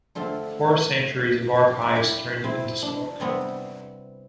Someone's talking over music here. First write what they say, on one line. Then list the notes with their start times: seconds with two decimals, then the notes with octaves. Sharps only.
Four centuries of archives turned into smoke.
0.15 D3 A3 C4 F4 A4
1.68 G4
1.82 F4
1.96 E4 G4
2.44 C4 E4
2.82 D4
3.20 C3 G3 B3 C4